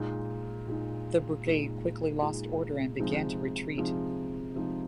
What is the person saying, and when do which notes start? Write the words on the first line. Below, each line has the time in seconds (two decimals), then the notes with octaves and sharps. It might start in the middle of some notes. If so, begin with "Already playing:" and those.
The brigade quickly lost order and began to retreat.
Already playing: A#2 G#3 D#4
0.67 A#2 G#3 D#4
1.45 A#2 G#3 D#4
2.22 A#2 G#3 D#4
3.00 C3 F3 G#3 D#4
3.77 C3 F3 G#3 D#4
4.55 C3 F3 G#3 D#4